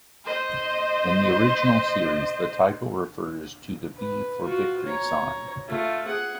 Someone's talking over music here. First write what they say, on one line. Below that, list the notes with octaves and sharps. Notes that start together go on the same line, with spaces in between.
In the original series the title refers to the "V for Victory" sign.
C5 D#5
B4
F4 F#4
C#5 A#5
A3 F4
G#4 F#5